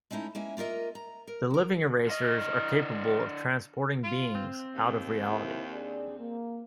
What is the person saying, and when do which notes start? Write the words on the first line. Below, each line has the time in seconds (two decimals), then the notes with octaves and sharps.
The Living Erasers are capable of transporting beings out of reality.
0.11 G#3 A3 C#4 D#4 E4
0.35 G#3 A#3 C#4 E4 E5 G#5
0.57 A#3 F4 A#4 D#5 E5
0.95 A#5
1.27 A#4
1.50 F#3 A#4
2.06 D3 D#5
4.04 F4
4.35 C4
4.74 D#2
5.28 E4 C5
5.72 D4 G#4 D5
6.19 A#3